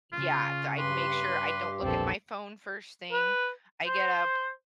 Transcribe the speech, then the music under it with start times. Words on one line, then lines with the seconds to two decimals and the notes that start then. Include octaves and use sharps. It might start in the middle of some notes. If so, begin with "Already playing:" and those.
yeah, d I'd make sure I don't look at my phone first thing, I get up,
0.13 C#3 F4
0.78 G2 G4 B4 C6
1.82 A#1 E2 C4 A4
3.12 B4
3.87 C5